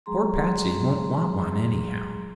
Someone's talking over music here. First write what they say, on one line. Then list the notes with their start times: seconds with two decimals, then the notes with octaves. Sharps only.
Poor Patsey won't want one, anyhow.'
0.06 F#3 G#3 G#4 A#5 C6